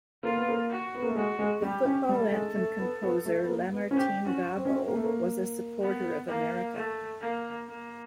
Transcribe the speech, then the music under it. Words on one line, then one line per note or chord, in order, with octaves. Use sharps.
The football anthem composer Lamartine Babo was a supporter of America.
A#3 F4
B3
A#3
F#4
B3
A#3
A3
G#3 F#4
G#3
G3 G4
C#4
G3 A4
A3
G#3
A3
B3
B3
A3
B3
A#3
B3
C#4
C4 G4
C#4 F#4
C4
C#4
C4
A#3
A3
A#3
B3
A#3
A3
A#3
A#3